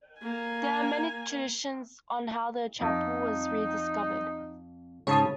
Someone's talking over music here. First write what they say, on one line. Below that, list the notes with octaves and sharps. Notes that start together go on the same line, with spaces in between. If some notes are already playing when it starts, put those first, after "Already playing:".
There are many traditions on how the chapel was rediscovered.
A#3 G#5
F2 D#4
G#2 C#3 C#5 A5 D#6